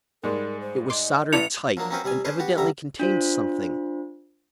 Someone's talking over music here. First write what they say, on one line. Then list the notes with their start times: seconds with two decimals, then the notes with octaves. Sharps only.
It was soldered tight and evidently contained something.
0.24 G#2 G3 G#3 A#4
0.61 C5
0.90 D#5 C6 D6
1.32 A1 E4 B4 D5 A5 C#7 F7
1.77 F3 F#3 A#3 D4
1.91 A#3 C4 C#4 F#4 B4 C5
2.04 C3 G3 D5 G#5
2.25 C#4 D4 G#4 B4 C5
2.39 B3 F#4 G4
2.57 E2 G2 D3 G3 E5 A#5
2.99 D4 F4 C5